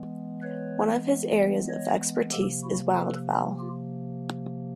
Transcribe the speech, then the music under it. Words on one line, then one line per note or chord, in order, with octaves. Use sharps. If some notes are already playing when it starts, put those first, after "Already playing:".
One of his areas of expertise is wildfowl.
Already playing: E3 G#3 B3
B4 C#5
C#5 D#5
C3 F3 A#3 G4 A4
E4 F#4
A4 B4
F4 G4